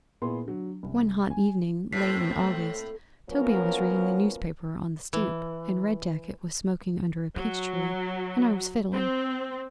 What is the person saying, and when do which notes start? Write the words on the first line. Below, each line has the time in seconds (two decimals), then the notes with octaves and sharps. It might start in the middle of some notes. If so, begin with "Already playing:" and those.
One hot evening late in August, Toby was reading the newspaper on the stoop and Red Jacket was smoking under a peach tree and I was fiddling.
0.22 A#2 B3 E4 G#4 C6
0.45 D3 F#3
0.83 C2
1.30 G#5
1.93 A2 A3 A#3 C4 B6 C7
3.30 F3 F#3 A#3 B3 C#4 A#4
5.13 E3
7.35 F#3
8.93 C4